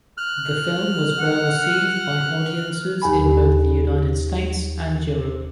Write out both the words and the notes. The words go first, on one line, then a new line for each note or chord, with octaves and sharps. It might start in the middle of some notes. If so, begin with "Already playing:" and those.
The film was well received by audiences in both the United States and Europe.
F6 F#6
F#5
D#2 G4 G#5 B5